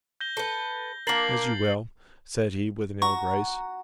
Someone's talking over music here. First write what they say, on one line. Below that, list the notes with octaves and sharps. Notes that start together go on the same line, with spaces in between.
"As you will," said he, with an ill grace.
G6 A#6 G7
A4 B4
A#3 D4 A#4 A6 C7 F#7
F#4 A#5 C#6